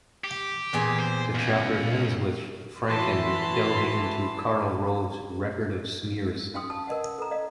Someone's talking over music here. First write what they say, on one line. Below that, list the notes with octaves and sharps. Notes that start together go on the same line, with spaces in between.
The chapter ends with Franken delving into Karl Rove's record of smears.
G4
E2 A#2 G#4
C5
C#2 G2
E3 F#4 A5 B5 C6
C#4 F5 G5 C6 D#6
A5 D#6
A#4 D#5 F#5
A4 A#5
D#5 F5